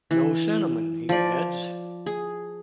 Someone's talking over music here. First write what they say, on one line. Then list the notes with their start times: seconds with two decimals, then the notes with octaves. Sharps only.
"No cinnamon," he adds.
0.11 E3
1.09 F3 D5
2.06 G#4